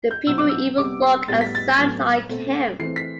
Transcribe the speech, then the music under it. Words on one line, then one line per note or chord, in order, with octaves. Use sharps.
The people even look and sound like him.
G6
B2 F#3 C4 E6
D6
E6
C3 G3 B3 D6
C6
A2 G3 B3 A6
B6
A6
A2 F#3 B3
B2 A3 C4
E3 A3 C4 C7
B6